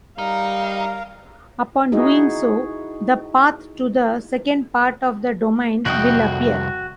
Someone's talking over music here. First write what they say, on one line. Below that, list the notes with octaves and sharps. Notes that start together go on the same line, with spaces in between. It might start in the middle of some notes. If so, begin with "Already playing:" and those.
Upon doing so, the path to the second part of the domain will appear.
G3 D#4 A#4 F5 A#5
D#4 E4 F#4 G#4 D#5
C2 F2 F#4 G5 D#6